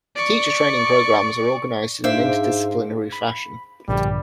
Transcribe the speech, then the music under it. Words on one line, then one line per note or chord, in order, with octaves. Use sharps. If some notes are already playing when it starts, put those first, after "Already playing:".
The teacher training programmes are organized in an interdisciplinary fashion.
D5 C#6
G#2 D4 C5 D5 E5 F5
B5
A#1 G2 D3 G3